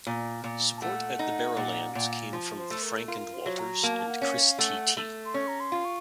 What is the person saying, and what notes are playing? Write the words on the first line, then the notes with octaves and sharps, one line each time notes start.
Support at The Barrowlands came from The Frank and Walters and Chris T-T.
A#2
A#2
A5
A3 F#5
D#4
A#2
A#2
F3
C5
A3
A#4
F4 A#4
C5
F#3
A#5
A#3 A5
A5
F#5
C#4
F5
A3 F#5
A3
C6
C#4 C#6
A#5
C6
F4
C#6